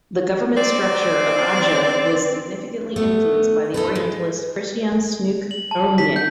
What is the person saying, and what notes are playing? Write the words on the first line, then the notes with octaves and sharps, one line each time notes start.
The government structure of Atjeh was significantly influenced by the Orientalist Christiaan Snouck Hurgronje.
C4 D5
A3 B3
D#4 A4 B4
G#3
F#7
A5
B6
G6